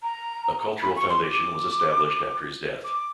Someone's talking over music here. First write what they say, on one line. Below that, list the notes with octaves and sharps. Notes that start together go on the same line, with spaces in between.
A cultural foundation was established after his death.
A#5
B5
C#6
C6
D6
D6